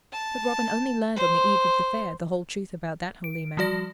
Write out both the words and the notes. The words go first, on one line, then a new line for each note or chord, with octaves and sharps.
But Robin only learned on the eve of the Fair the whole truth about that holy man.
A5
C5
D7
F3 G3 F#4 D5 A#6